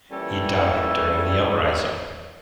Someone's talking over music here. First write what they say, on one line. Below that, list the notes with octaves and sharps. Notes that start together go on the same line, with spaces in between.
He died during the uprising.
A#2 E3 G3 C#4 A4